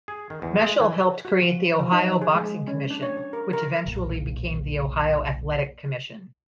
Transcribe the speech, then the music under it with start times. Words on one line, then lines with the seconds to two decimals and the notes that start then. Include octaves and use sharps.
Meshel helped create the Ohio Boxing Commission, which eventually became the Ohio Athletic Commission.
0.08 G#4
0.30 D#3
0.42 E2
0.58 G#3
0.80 E3
1.25 F#4
1.42 F3
1.79 F3
1.92 D#4
2.22 G#4
2.35 G#3
2.68 C#4
2.90 D4
3.03 C#5
3.17 C#5
3.33 A#4
3.53 A#4
3.86 F1 B1 A#2